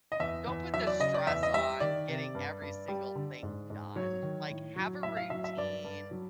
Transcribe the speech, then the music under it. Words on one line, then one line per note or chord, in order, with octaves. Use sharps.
don't put the stress on getting every single thing done, like, have a routine
D#5
E2 E5
E2
F#3 E5
D5
C#3 D#5
D5
E2 E5
D#5
G3 E5
D#3 D5
C3
G2
G2
G3
D3
G#2
G#2
F#3 C#5
D#3
A2
F#3
A2 E5
F5
F#3 E5
E5
G2 D5
G2
F#3